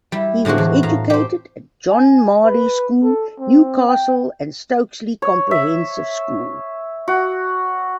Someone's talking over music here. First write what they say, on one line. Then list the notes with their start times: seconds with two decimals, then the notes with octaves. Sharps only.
He was educated at John Marlay School, Newcastle and Stokesley Comprehensive School.
0.12 G3 E4
0.45 A2 D3 G#3 C4 F#4
0.58 E2
0.83 A2 F5 A#5
1.10 G4 C5
1.91 G#5
2.44 B4
3.03 A4
3.39 C4
3.88 G5
5.22 C#5
5.51 E5
7.08 F#4